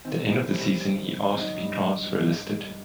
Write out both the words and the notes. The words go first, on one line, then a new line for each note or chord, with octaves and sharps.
At the end of the season, he asked to be transfer listed.
D#3 C4
C4
F#2 E4
G3 C4
F#2
D#3
F#2
C4
F#3 D#4
G2
G2
F#3
F#3
G2